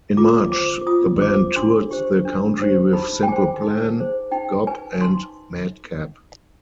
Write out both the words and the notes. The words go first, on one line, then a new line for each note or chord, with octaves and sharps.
In March the band toured the country with Simple Plan, Gob and Madcap.
F4 D6
C5 D6
F4 D#6
C5 D6
D4 C6
G4 C5
D4
G4 C5
D#4 B5
G5
G#4 C5 G#5
D#4
G#4 C5
D#4 G5
B4 G#5
D#4 C6